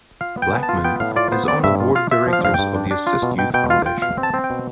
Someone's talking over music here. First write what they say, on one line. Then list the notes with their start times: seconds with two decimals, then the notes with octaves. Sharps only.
Blackman is on the Board of Directors of the Assist Youth Foundation.
0.21 F4 F5
0.37 B3
0.42 G5
0.53 B3
0.63 A5
0.69 F4
0.84 B3 G5
1.00 A2 F5
1.16 F4 D5
1.32 B3 C5
1.48 C4 D5
1.64 G2 E5
1.80 F4
1.95 F4 F5
2.11 F4 E5
2.28 F3 F5
2.44 G2 F5
2.54 G2 G5
2.75 D4
2.91 D4
3.07 F4
3.22 B2
3.38 B2 G5
3.54 B2 G5
3.70 F4 F5
3.86 F4 G5
4.02 B2 F5
4.18 C4
4.23 A5
4.34 C4
4.44 G5
4.50 B2